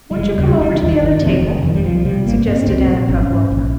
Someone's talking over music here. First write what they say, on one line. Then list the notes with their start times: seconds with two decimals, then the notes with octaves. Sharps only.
"Won't you come over to the other table?" suggested Anna Pavlovna.
0.11 G3
0.17 F1 G#3
0.37 D#2 C#3 G3
0.59 F1 G3
0.72 D#3
0.79 D#2 C#3
0.86 D#3
1.00 G1
1.22 F2 C3
1.42 F1 D#3
1.63 F2 D#3
1.67 C3
1.74 G3
1.84 C2 F3
2.05 C3 G3
2.26 G#1 A#3
2.47 G2 C4
2.63 C#4
2.67 C2 C4
2.88 A#2
3.09 G#1 C#4
3.31 G#2
3.51 A#1